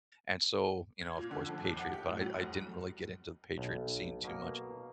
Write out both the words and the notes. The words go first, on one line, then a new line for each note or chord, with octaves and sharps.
and so, you know, of course, Patriot, but I I didn't really get into Patriot scene too much.
G#6
A#2
D3
F2
D#2
F#5
G4
A2
F#3
F1
B1
B2 A#3